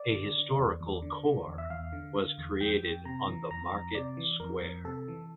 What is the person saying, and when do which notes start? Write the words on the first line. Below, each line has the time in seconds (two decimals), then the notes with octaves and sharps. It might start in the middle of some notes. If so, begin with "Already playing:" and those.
A historical core was created on the market square.
Already playing: D5
0.13 D3
0.35 D3
0.58 E2
0.81 E2
1.02 D3
1.25 D3
1.47 E2
1.58 E5
1.70 E2 F5
1.93 D3
2.15 D3
2.38 E2
2.60 F2 G5
2.83 F2
3.05 C3 A#5
3.28 E3
3.50 F2 A#5
3.72 F2
3.95 C3 D5
4.17 E3
4.40 F2 A#4
4.62 F2
4.85 C3 A4
5.08 E3